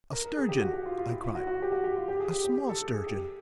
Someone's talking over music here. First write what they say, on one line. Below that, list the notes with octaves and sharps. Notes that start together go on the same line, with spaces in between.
"A sturgeon," I cried; "a small sturgeon."
A#4
A#4
G#4
G4
F#4
F#4
F4
F4
E4
F4
F#4
F#4
G4
F#4
G4
F4
G4
G#4
G4
G4
G4
A4
A4
G#4
G4